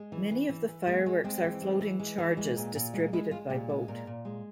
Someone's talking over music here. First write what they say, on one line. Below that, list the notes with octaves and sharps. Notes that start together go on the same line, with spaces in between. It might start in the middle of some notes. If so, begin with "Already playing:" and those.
Many of the fireworks are floating charges distributed by boat.
Already playing: G#3
E3
E3
E3
E3
G#3 A#3
G#3
G#3 C4
E3
G#3
E3
G#3
E3
G#3
A#2
A#2
G#3
G#3 E4
G#3 F4
A#2 G4
G#3
A#2 A#4
A#2
G#3